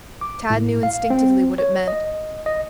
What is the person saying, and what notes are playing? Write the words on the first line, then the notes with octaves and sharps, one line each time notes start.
Tad knew instinctively what it meant.
D6
A2
F5
C4
C#5
D#5
D#5